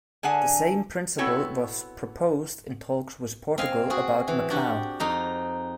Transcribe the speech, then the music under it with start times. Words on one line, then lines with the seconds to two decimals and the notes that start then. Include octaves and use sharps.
The same principle was proposed in talks with Portugal about Macau.
0.23 D3 D4 G#4 F#5 G#5 A5
1.18 B3 C4 E4 F#4 A4 C#5
3.58 C4 D#5 F5 G#5
3.90 F#4 G#4
4.28 E3
4.50 D4 F#4 G4
5.00 F2 D#4 A#5